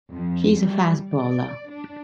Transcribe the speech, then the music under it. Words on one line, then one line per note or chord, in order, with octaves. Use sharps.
He is a fast bowler.
F2
G3
D5
D4